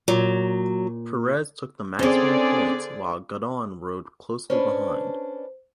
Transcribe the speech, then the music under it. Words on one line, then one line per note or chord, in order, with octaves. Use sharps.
Perez took the maximum points while Godon rode closely behind.
A#2 F#3
D3 C4 C#4 G#4 A#4 C5 D5
C#4 D4 B4 C5